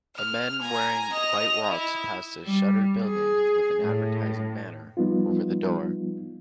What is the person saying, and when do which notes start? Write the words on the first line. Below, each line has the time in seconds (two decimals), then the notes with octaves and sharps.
A man wearing white walks passed a shuttered building with an advertising banner over the door.
0.16 F6
0.61 G#5 A#5
1.12 D#5 F7
1.70 E4
2.46 G3
3.03 G#4
3.81 A2
4.97 F3 G3 B3 D#4 F4